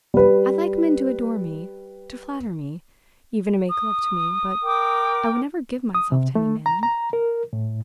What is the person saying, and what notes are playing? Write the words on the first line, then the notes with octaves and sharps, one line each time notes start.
I like men to adore me--to flatter me--even to make love to me--but I would never give myself to any man.
G3 B4
D#6
A#4 G5 D6
D#6
C3
A3
A#5
A#5
A#4
A2